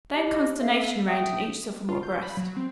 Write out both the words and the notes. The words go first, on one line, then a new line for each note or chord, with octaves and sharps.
Then consternation reigned in each sophomore breast.
G4 D#5
A4 E5 F5
E5 G5 D#6
F4
G6
B5
F#3
C4